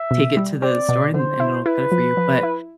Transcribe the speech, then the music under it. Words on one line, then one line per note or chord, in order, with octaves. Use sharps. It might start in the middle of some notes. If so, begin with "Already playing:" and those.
take it to the store and and it'll cut it for you, but,
Already playing: E5
B2
G3
C4 D5
B2
D3 C5
E4
E4 B4
F3
F3
E4